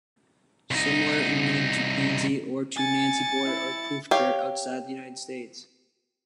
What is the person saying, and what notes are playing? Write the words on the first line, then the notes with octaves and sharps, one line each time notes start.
Similar in meaning to "pansy", or to "nancyboy" or "poofter" outside the United States.
C2 D#4
G#5 A6 C#7
E4
G4 C#5 F5